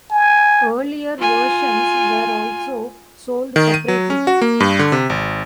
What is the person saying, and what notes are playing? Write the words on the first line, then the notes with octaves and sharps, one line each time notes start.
Earlier versions were also sold separately.
G#5
F4 G#5
D#3
D#7
F#3
C#4
F#4
A#3
G2
D3
C3
G#1